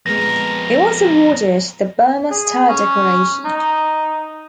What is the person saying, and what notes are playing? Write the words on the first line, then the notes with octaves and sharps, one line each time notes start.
He was awarded the Burma Star Decoration.
F2 G#3 B3 A#4 A#6
G#4
C#4
D#4